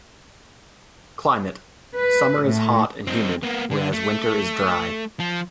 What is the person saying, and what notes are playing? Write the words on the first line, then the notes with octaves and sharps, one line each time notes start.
Climate: Summer is hot and humid whereas winter is dry.
B4
A2
C4 D#4
A#3 B3
D3
A3
F3